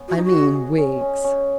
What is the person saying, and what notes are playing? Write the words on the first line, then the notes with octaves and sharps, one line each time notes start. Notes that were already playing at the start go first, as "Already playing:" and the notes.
I mean Wiggs.
Already playing: B3 C#4
F#4 D#5
D#4
F#4
D#5
G#4
C#4
C#4
C#4